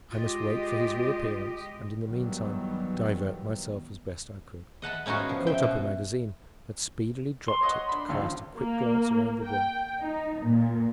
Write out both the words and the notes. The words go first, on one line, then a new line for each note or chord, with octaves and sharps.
I must wait for his reappearance, and in the meantime divert myself as best I could. I caught up a magazine, but speedily dropped it to cast a quick glance around the room.
G#3 F4 G4 D#5
G2 D#3 E3 F#3 G3 B3
D#5 F#5 A5 B5
B3 C#4 D#4 F4 F#4
F3
E5 G5
B2
C6
C#5 D#5 F#5
D4 B5
G#1 C#2 F3
A#3
G5
D#4
A#2